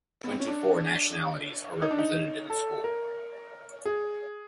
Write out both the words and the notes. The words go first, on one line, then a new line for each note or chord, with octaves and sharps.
Twenty-four nationalities are represented in the school.
B3
C4
C#4
D4
D#4
D4
D#4
A4
A#4
G#4